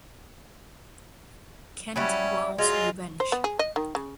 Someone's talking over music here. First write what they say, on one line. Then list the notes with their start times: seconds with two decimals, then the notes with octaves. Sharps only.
Kent vows revenge.
1.96 F#3 G3 C#4 E4
2.58 F#3 G#3 F4
3.20 C5
3.32 B3
3.44 G#4
3.59 D#5
3.76 D#3
3.95 C#3